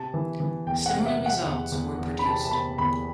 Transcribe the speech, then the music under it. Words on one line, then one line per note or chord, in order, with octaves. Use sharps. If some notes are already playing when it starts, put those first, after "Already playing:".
Similar results were produced.
Already playing: C3 A5
E3
E3
E2 G5
F#5
C3
E5
C3
F#5
E2
E2
E2
B5
C3 A5
A5
C3 B5
E2 B5